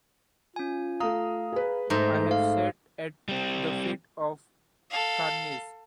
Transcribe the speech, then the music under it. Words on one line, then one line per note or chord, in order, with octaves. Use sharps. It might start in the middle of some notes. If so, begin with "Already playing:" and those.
I have sat at the feet of Cairnes.
C#4 F4 G#5
A3 F5 A#5 D#6
G#4 B4
G#2 A3 A4 E5 A#5 G6
F5
G3 C4
A4 F5